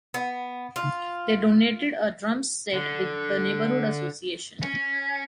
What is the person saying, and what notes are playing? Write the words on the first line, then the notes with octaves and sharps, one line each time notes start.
They donated a drums set with the neighborhood association.
B3
F4
D3
C#4